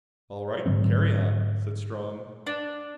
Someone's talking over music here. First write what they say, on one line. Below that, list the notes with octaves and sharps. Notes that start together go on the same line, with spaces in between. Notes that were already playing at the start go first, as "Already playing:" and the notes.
"All right, carry on," said Strong.
G#2 D3 F#3 C4
D4